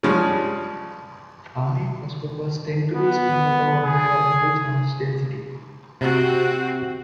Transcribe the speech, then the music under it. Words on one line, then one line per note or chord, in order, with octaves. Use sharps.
Ionic kosmotropes tend to be small or have high charge density.
C#3 F3 G3 G#3
B3
G#4
C3 C4 F#4